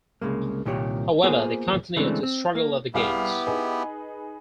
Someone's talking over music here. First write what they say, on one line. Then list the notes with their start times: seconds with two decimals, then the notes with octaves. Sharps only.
However, they continued to struggle at the gate.
0.22 C2 C#3 G#3 A#3
0.65 C2 A#2 D#3 G4 C#5
1.23 A#3 B3 F4 G#4 A#4 C5
1.96 C#3 E3 G#3 A3 C4 D4
2.23 C4
2.55 A#3
2.94 C2 B3 E4 G4 G#4 F5
3.47 D#4 G#4 B4